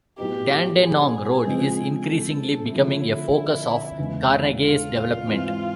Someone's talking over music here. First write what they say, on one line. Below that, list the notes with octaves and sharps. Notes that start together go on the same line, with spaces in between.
Dandenong road is increasingly becoming a focus of Carnegie's development.
A2 F#3 B3 D#4 G4
G#4
C#3 F3 G#3 C4
A4
D3 F3 A3 E4
E2 C#3 E3 G#3
F4
G#2 E3 G#3 C4